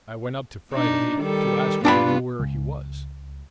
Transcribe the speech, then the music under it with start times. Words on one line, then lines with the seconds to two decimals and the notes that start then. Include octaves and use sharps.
I went up to Friday, to ask if he knew where he was.
0.72 B2 D4 D#4
1.19 D#3 G3 A4
1.85 G2 B3 D4 F4 G5 B5
2.39 C#2